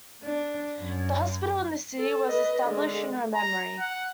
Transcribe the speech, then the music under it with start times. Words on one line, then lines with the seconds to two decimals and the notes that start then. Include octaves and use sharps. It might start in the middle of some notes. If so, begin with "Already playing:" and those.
A hospital in the city was established in her memory.
0.23 D4
0.80 F#2
1.98 A4
2.29 B4 D#5
2.65 D3 G#3
3.34 A#5
3.79 F#5